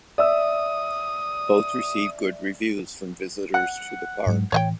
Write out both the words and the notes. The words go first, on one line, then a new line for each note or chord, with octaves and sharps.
Both received good reviews from visitors to the park.
D5 E5 D#6 E6
F#5
G#2 F#3 G#3
A2 E3 C#5 D#5 G5